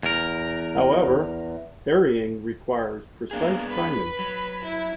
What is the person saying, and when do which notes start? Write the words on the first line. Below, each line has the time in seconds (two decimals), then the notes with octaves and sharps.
However, parrying requires precise timing.
0.03 E2 A#4
3.31 A#3 B3 D4 G#4
3.70 B4 B5
4.19 F#3
4.63 E4